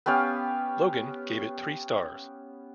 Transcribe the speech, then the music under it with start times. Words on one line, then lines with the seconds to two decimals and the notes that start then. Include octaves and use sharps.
Logan gave it three stars.
0.06 B3 C#4 G4 F5